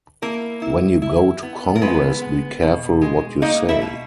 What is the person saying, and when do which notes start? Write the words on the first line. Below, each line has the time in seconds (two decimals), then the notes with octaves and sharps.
When you go to Congress, be careful what you say.
0.22 A#3 E4 A#4
0.62 E4
1.02 E4
1.43 B3
1.75 A#4
1.81 G#3 B3 B4
2.22 B3
2.62 B2
3.02 G#3
3.42 A#3 D#4 D#5
3.69 E4 E5
3.82 B2